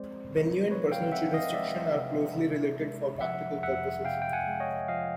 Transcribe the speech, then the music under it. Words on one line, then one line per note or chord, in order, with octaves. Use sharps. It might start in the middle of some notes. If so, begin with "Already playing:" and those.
Venue and personal jurisdiction are closely related for practical purposes.
Already playing: F3 G#3 C4 C5 D5
C3
F3 B4 C#5
F5 G5
C4 E5 F#5
D#5 F5
G#3 D5 E5
C3
C3
G#3
F3 E5 F#5
F2 E5 F#5
C3 F5 G5
G5
F#5 G#5
G#3
C#5 D#5
F3 D#5 F5